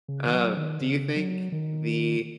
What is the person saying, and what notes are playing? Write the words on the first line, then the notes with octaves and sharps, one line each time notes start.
Um, do you think the
C#3
D#3
F#3
D#3
C#3
F#3
D#3